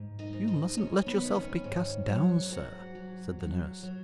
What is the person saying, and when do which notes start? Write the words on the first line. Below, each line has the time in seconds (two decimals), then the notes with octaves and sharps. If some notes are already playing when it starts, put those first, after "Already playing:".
'You mustn't let yourself be cast down, sir,' said the nurse.
Already playing: G#2
0.19 D#4 D#5
0.33 G#2
0.48 D#4 D#5
0.77 G#2 C#4 C#5
1.06 B3 B4
1.21 D#3
1.35 C#4 C#5
1.64 G#2
2.08 F#3
2.51 G#2 F#4 F#5
2.95 F#3
3.39 F#3
3.83 F#3